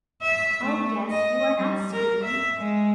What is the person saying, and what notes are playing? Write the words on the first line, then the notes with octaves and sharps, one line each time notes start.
Oh, yes; you are not screaming.
E5
A3
D#5
G3
A#4
E5
G#3